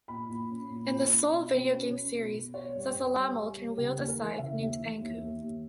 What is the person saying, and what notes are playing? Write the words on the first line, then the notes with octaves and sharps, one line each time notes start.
In the "Soul" video game series, Zasalamel can wield a Scythe named Ankou.
A#2 B5
A#2
C#4
A#2
A#2
C#4
B2
B2
C#4
C#4
B2
B2
B3 C#5
G2
G2
G3
G3
G3
C#3 G4
D#2
A#4
E3
C#3 E5
D#2
E3
D#2
D#2
D#2